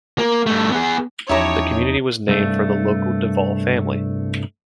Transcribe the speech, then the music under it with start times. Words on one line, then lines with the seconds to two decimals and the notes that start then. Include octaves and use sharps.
The community was named for the local Devol family.
0.18 A#3
0.46 G2 A3
0.72 B3 G#4
1.29 E2 F3 C#4 D#4 E4 G4 C#5 A#5
2.28 C2 G2 A3